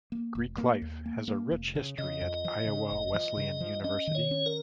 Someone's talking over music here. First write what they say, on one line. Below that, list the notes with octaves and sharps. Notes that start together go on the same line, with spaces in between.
Greek life has a rich history at Iowa Wesleyan University.
A#3
F1
A#3
D#2
A#3
A#3
F1
C#3
C#3 D#5
F2
F3
C#3
F1
F3
C#3
F3
C#4 D#5
D#3
C#5
C#4
A#4